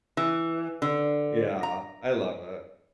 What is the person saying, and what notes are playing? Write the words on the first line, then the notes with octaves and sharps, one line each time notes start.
Yeah, I love it.
E3
D3
A#5